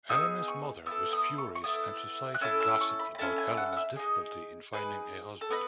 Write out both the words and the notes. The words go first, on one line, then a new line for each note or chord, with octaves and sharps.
Elena's mother was furious and society gossiped about Elena's difficulty in finding a husband.
B3 D#4 G#4 E6
C#6
B3 E4 A4 E6
D#6
C#6
C#6
B3 E4 A4 D#6
F#6
C#4 E4 A4 E6
E6
C#6
B5
B5
C#4 E4 A4 A5
G#5
F#5
F#5
E5
D#4 G#4 D#5
D#4 G#4 B4
A4
B3 D#4 B4